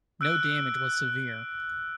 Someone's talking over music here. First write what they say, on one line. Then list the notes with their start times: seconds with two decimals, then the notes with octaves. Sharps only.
No damage was severe.
0.21 E6 F#6 D7